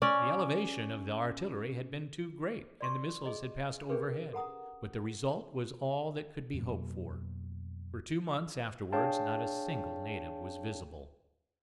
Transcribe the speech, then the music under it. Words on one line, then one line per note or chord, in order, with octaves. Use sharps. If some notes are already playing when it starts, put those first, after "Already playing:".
The elevation of the artillery had been too great, and the missiles had passed overhead; but the result was all that could be hoped for, for two months afterwards not a single native was visible.
C#4 D5
D5 C6 C#6
G#4 D#5
C#4 D4 G4 G#4 A#4 B4
A4 F#5 A#5 D#6
F2 B2 F#3 A#3
D4 G#4 C#5 F5 G5 A5